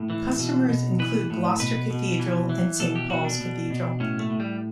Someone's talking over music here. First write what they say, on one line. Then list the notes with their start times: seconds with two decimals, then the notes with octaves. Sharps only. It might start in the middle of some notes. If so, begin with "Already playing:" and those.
Customers include Gloucester Cathedral and Saint Paul's Cathedral.
Already playing: A2
0.10 E3
0.39 B2
0.69 B2
0.99 E3 B4
1.30 A2
1.59 B2 B4
1.90 B2
2.19 E3
2.49 E3
2.80 B2 A4
2.95 G4
3.10 B2 F#4
3.25 D4
3.40 B2
3.70 B2
4.00 A2 C#4
4.19 A3
4.30 A2
4.40 G3